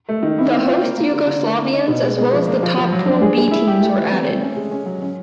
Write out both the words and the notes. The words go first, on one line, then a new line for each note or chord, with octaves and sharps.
The host Yugoslavians as well as the top pool 'B' teams were added.
A3
D#3
E4
C4
F4
A#3
A#3
D3
D3
A#3
E4
D#4
B2
G#3
G#3
F3
A#3
F3
F3
F#3
D4
G#4
G#4
E4
G4
A3
E3
C4
A3
C#4
G#3
C#4
F#3
C#4